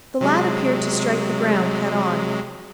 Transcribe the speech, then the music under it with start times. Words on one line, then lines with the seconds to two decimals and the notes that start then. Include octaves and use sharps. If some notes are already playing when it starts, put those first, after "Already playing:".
The lad appeared to strike the ground head-on.
0.21 C3 F#3 G#3